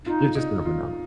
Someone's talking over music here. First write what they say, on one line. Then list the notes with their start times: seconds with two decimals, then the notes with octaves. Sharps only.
you just never know.
0.06 D#4 F4
0.35 D#4
0.65 F4